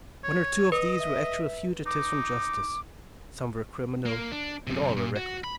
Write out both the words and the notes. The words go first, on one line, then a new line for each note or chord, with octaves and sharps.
One or two of these were actual fugitives from justice, some were criminal, and all were reckless.
C#5
B4 D#5
E5
D#4 D6
A#3
D4
F#2 C3
A#2
F#4
B5